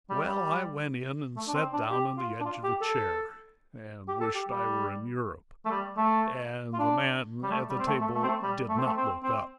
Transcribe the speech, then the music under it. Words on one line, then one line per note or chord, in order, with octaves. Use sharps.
Well, I went in and sat down on the edge of a chair, and wished I were in Europe, and the man at the table did not look up.
G3
G3
A3
D4
C4
D4
G4
F4
D4
F4
G4
A4
G4
A4
G4
G3
A3
G3
A3
F4
D4
G3
A3
G3
C4
A3
A3
A3
C4
A3
G3
A3
C4
A3
C4
C4